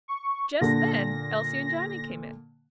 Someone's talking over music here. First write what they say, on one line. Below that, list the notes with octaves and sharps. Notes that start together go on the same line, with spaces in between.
Just then Elsie and Johnnie came in.
C#6
A#2 D3 A#6